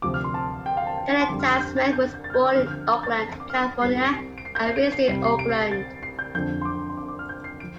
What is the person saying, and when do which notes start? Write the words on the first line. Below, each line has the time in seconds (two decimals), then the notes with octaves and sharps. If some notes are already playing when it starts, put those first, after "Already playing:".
Kellita Smith was born in Oakland, California and raised in Oakland.
0.02 D2 C3 F3 D6
0.14 F6
0.24 C6
0.34 A5
0.66 G5
0.77 F5
0.87 A5
0.98 G5
1.21 C6
1.29 F2 D3 G3 D6
1.40 F6
1.50 F6
1.60 G6
1.76 A6
1.93 G6
2.14 G6
2.24 A6
2.30 F6
2.34 G6
2.45 D6
2.55 G1 G2 D3 F3 F6
2.67 F6
2.71 G6
2.87 A6
3.03 A6
3.18 C7
3.40 D6
3.50 F6
3.81 C2 C3 G3 C7
4.05 D7
4.14 C7
4.38 D7
4.45 C7
4.55 G6
4.66 C7
4.76 D7
4.92 C7
5.08 C2 C3 G3 C7
5.24 C7
5.39 D7
5.50 C7
5.61 C7
5.71 A6
6.03 C7
6.19 G6
6.35 F2 D3 F3 G6
6.62 C6
6.65 D6
6.90 C6
6.97 D6
7.08 D6
7.19 F6
7.29 G6
7.44 C7
7.60 F3 D7